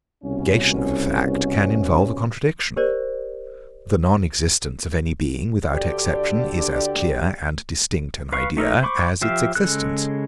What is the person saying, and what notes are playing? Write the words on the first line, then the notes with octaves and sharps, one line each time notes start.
No negation of a fact can involve a contradiction. The non-existence of any being, without exception, is as clear and distinct an idea as its existence.
C2 B2 C#4
G4 A#4 C5 D5
D2 D3 G4 D5
B4 F5 C#6
A3 D#4 A4 A#4
C5 B5 C#6 D6
F3 G4 E5 F5
C#3 G#3 A4 F#6